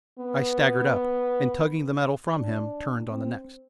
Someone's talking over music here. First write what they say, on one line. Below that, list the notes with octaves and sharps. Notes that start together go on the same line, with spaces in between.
I staggered up, and tugging the metal from him turned on the next.
B3
D4
C4